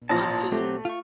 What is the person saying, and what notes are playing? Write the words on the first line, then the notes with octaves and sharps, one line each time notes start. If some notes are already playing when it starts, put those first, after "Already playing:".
On food.
A1 A#2 F3 A5 A#5
F#3 A3 C4 G4
F4 C#6